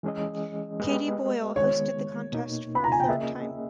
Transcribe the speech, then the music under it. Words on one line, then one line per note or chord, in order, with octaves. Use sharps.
Katie Boyle hosted the contest for a third time.
E3 G#3 C#4 G#4 D#5
G#3 B3 G4 B4 D#5
D#3 G#3 B3 C#5
B2 A#3 D#4
B5
A#5
G#5
G5
A#3 C#4 G#4 D#5 E5